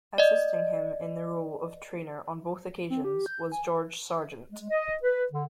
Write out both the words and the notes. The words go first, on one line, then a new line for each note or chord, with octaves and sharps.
Assisting him in the role of trainer on both occasions was George Sargeant.
D5 D#5
C4
G4
G6
G#5
G#3
D#5
B4
D3